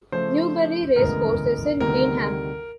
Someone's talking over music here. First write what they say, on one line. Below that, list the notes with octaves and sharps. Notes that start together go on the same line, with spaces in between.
Newbury Racecourse is in Greenham.
C#3 F3 A3 C5
D2 C#3 E3 G#3 B3 A#4
D2 C3 D#3 G3 A#4